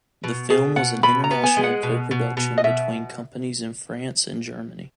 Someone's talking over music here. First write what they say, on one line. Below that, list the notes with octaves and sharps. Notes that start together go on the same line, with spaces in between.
The film was an international co-production between companies in France and Germany.
B2
B2 G#4
B2 F#5
B2 B5
A#5
B3
G#5
G#3
F#5
B2
B2
B2
D#5
B2 E5